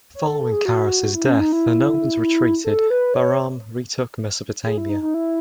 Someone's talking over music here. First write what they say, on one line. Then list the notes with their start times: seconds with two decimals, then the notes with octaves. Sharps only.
Following Carus's death, the Romans retreated, Bahram retook Mesopotamia.
0.15 C#5
0.27 A4
0.39 A4
0.52 G#4
0.65 F#4
1.15 E4
1.27 C#4
1.40 D#4
1.52 E4
2.65 A4
2.90 B4
3.14 C#5
4.65 G#4
4.78 E4
4.89 D#4
5.02 D#4
5.14 E4